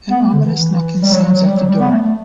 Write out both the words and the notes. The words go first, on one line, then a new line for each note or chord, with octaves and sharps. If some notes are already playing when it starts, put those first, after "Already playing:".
An ominous knocking sounds at the door.
B3
A3
D3
E3
E3
G3
F#3
F#3
F#3
G3
F#3
G3
B3
A3
A3